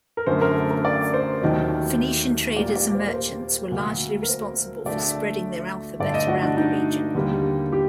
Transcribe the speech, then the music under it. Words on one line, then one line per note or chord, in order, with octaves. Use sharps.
Phoenician traders and merchants were largely responsible for spreading their alphabet around the region.
A#4
F#2 D3 A3 C5
A#4
A4
A#4
D5
C5
D#2 D#3 F#3 A3 D#5
A#2 G3 A#3 D5
D5
C5
A#4
C5
D2 D3 F#3 A#3
A#4
C5
D2 D3 A3 D5
G2 D3 A3 D5
D#5
F#4
D4
D#4
D#2 D3 G3 A#3
G4